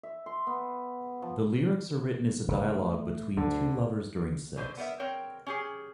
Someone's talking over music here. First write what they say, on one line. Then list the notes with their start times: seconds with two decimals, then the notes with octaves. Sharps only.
The lyrics are written as a dialogue between two lovers during sex.
0.03 E5
0.26 C6
0.47 B3
1.22 F3
2.48 F#1 C#3
2.70 A3
3.37 D2 D3
4.57 B2 D3 C5
4.77 B3 A#4 D5 E5
5.00 C4 A#4 C#5 G5
5.47 C#4 G4 G#4